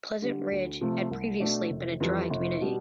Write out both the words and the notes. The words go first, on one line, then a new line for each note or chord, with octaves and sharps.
Pleasant Ridge had previously been a dry community.
D3 G3
D2
C3 F3 A3
C2
B2 A3 D4
F1
F2 E3 G3
F1
B2 G3